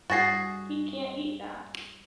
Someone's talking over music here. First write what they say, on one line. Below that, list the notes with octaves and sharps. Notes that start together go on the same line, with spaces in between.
He can’t eat that.
G2 F#4 G#4 A6 A#6 C7